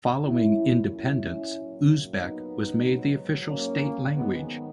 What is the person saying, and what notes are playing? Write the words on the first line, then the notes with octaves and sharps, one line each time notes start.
Following independence, Uzbek was made the official state language.
A#2 F#3 C#4 E4
C#4 E4
A#2 F#3
B3 D#4
G#2 F#3
A#3 C#4
G#2 D#3 F#3 G#3 B3